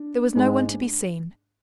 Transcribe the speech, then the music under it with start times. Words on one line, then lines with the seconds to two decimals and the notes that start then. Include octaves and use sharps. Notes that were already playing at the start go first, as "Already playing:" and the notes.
There was no one to be seen.
Already playing: D4
0.35 G#2 G#3